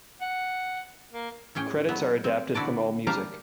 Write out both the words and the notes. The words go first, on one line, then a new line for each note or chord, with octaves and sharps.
Credits are adapted from AllMusic.
F#5
A#3
A2 C#4 G#4 G5
F#3 B3 E5
C4
D3 E4 F#4 D5 A5
G3 G4 A#4 F5 A5 A#5